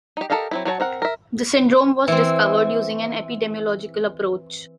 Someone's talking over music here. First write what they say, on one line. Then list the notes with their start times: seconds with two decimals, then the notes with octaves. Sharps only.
The syndrome was discovered using an epidemiological approach.
0.17 D#4 G4
0.30 G4 A4 A#4 D#5 F5
0.51 F#3 C4 E4
0.65 F#3 F#4 C#5 A5
0.80 C4 A#4 F#5
1.02 A#4 E5
2.08 E3 C4